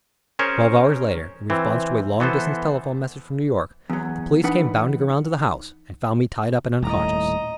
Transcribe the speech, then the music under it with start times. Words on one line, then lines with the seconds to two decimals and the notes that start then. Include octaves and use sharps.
Twelve hours later, in response to a long-distance telephone message from New York, the police came bounding around to the house, and found me tied up and unconscious.
0.39 C#4 G#4 A#4 C5 C#5
1.50 E3 C4
2.20 E3 B3 A4 C5
3.90 E2 F#3
4.43 E3 D4 D#4 B4 F#5
6.83 D#1 A2 D#5 A#5